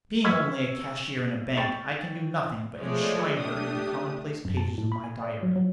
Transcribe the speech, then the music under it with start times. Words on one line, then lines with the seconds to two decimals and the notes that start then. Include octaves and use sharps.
Being only a cashier in a bank, I can do nothing but enshrine her in the commonplace pages of my diary.
0.24 C#6 E6 F6 G#6 B6
1.57 G5 C#6 A6
2.78 F3 G#3 A3 G#4 C#5 D5
3.36 A3 D4 G4 D#6
4.45 F#2
4.57 A5
4.78 A2
4.92 B5
5.04 G#5
5.23 D5
5.43 F#3
5.56 F#3